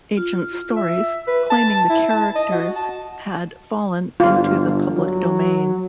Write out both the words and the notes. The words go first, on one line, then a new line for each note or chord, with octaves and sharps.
Agents stories, claiming the characters had fallen into the public domain.
F4
E5
B4
A5
E4
A5
D#5
F#4
A5
G1 F4
F#3